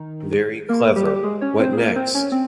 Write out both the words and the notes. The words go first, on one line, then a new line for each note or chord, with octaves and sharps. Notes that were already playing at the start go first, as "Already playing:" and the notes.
Very clever; what next?
Already playing: D#3 D#4
A#3 A#4
G3 G4
G4
G#3 G#4
C#4 C#5
C4 C5
G#4
A#3 A#4
A#4
C4 C5
C#4 C#5
C4